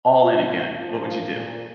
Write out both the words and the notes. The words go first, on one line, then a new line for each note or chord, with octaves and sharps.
all in again? What would you do?
F4
F3
A#2